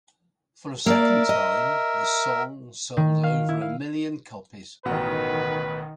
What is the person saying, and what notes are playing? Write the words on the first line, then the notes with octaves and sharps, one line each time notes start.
For a second time, the song sold over a million copies.
A#3 A#4 D5 E5
D#5
D#3
F5
E4
F5
A1 B2 D#3 B4 F#5